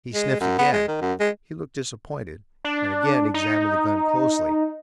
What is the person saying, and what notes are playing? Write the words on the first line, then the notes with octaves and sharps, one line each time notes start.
He sniffed again. He looked disappointed, and again examined the gun closely.
G#3
F#2
B3
G#3
D#3
F#2
G#3
D4
D#4